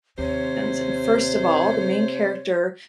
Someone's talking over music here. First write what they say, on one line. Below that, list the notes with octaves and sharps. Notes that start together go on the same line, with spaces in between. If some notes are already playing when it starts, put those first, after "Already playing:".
And first of all, the main character,
D#2 C3 C5 C#5